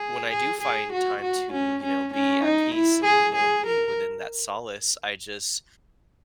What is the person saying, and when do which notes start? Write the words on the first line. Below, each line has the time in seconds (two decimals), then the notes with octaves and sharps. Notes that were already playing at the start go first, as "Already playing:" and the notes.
when I do find time to, you know, be at peace and, you know, be within that solace, I just
Already playing: G#4
0.30 G#4
0.61 G#4
0.92 F#4
1.22 F#4
1.52 C#4
1.83 C#4
2.13 C#4
2.44 D#4
2.74 E4
3.05 G#4
3.35 G#4
3.66 A#4